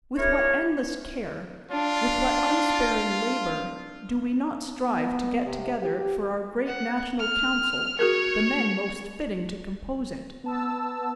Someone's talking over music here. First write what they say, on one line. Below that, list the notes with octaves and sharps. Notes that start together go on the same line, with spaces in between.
With what endless care, with what unsparing labour, do we not strive to get together for our great national council the men most fitting to compose it.
E4 G4 A#4 C#5
D4 F4
B3
C3
G4
F#5
F6
F#4 G#4 A#4 C#5
B3 A5 E6